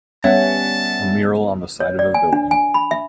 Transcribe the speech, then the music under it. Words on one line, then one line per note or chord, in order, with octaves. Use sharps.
A mural on the side of a building.
G3 B3 C#4 C#5 E5 F#5 A5
C#5
D5
G#5
D4
G#5
B5
E5